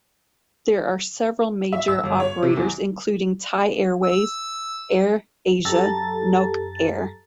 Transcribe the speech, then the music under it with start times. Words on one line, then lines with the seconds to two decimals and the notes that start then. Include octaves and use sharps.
There are several major operators including Thai Airways, Air Asia, Nok Air.
1.73 E5
1.88 E6
2.03 G1
2.20 C#5
2.43 C3
2.57 E2
4.03 E6
5.65 F#2 G4 A4 A#5 A6